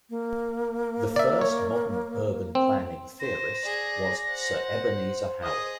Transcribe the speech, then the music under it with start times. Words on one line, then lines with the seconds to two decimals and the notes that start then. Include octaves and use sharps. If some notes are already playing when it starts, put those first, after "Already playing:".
The first modern urban planning theorist was Sir Ebenezer Howard.
0.10 A#3
1.16 D5 E5
1.41 C#5
2.55 C4
3.20 C5 A#6
3.65 G#4 D5
4.28 C5 F#5
5.43 G#4 D#5 D#6